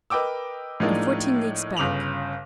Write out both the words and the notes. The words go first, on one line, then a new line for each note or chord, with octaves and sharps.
"And fourteen leagues back?"
A#4 B4 D#5 G5 D6 E6
A2 F3 G#3 A#3 D4 D#4
G1 C#3 D6 F7 F#7